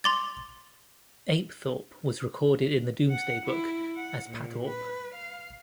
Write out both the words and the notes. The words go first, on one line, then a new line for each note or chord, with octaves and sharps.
Apethorpe was recorded in the Domesday Book as Patorp.
C6 D6 A6
F#5
E4
F#5
A#2
B4
F5